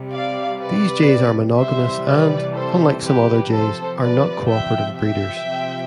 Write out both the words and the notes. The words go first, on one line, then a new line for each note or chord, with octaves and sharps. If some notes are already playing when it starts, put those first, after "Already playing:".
These jays are monogamous and, unlike some other jays, are not cooperative breeders.
Already playing: C3 G3
D5 F5
B4 D5
C3 E3 G3 C5 E5
B4 D5
A4 C5
G4 B4
C3 F3 A4 C5
B4 D5
E5 G5
E5 G5
C3 F3